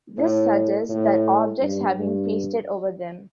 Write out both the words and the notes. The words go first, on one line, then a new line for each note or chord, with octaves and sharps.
This suggests that objects have been "pasted" over them.
A2
A2
G2
G2